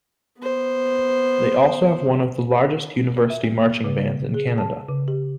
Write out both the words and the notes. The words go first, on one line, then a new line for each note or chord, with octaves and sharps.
They also have one of the largest university marching bands in Canada.
B3 C5
E5
A#3
C#3
G#4
A5
C#3
G4